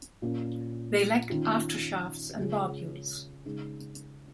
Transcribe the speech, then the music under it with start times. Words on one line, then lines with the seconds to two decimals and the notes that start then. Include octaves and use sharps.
They lack aftershafts and barbules.
0.22 A#2 A#3 C#4
1.30 D#3 C#4 F4
2.38 C#3 G#3 C#4 F4
3.45 C#3 G#3 D#4